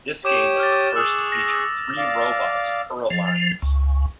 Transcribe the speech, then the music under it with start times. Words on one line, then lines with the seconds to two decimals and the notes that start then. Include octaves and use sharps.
This game was the first to feature three robots per alliance.
0.25 G4 C#5 D6 D#6 E7
0.60 F6 A6
0.96 G#4 C#6 D#6 E6 F#6
1.32 A#6
1.97 D5 F5
3.10 F3
3.62 C#2